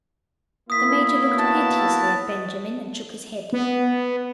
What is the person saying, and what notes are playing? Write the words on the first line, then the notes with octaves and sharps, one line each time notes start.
The Major looked piteously at Benjamin, and shook his head.
A#3 B3 E4 D#6 B6
F#4 A5
B3